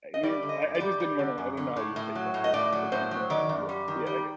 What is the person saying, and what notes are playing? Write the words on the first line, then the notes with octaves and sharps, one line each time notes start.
you're I I just didn't wanna I didn't know how you would take that, so I was just like, yeah, yeah, yeah, I get
D#5
G3 D5
D3
D#5
F#2
D5
G3
G3
D3
F#2
D3
A2
A2
F#3
A2
D#5
A2 D5
F#3
A2 C5
F#3
D#3 D5
F#2
G3
D#3
G3